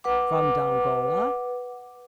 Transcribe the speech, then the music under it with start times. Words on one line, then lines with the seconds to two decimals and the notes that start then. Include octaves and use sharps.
"From Dongola?"
0.04 B4 F#5 D6